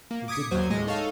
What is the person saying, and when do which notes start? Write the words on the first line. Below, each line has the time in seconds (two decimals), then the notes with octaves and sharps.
He did not know.
0.11 A#3
0.28 D6 D#6 G#6 B6 C#7
0.51 D#2 F#3 C5 G#6 D#7
0.70 A2 G#3 D#5
0.87 D#4 A4 C#5 D#5 F5